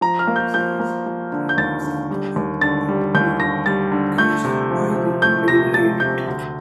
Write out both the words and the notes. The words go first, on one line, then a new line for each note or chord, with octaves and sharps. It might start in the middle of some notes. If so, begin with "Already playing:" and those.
This is reminiscent of multiplication by the imaginary unit.
F3 A#5
F6
A#3
G6
F3 G6
A#3
F3
D3
G6
D#2 A6
D3
G3
D#2
D3 A6
G3
D#2 G6
D3 A#6
G3 A6
D3
A3 G6
C3
F3
F3
A3 G6
C3 A#6
F3 A6
C3 G6
D2